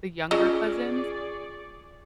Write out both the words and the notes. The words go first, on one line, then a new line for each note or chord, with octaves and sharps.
the younger cousins
C#3 F4 G#4 D5 D#5 C#6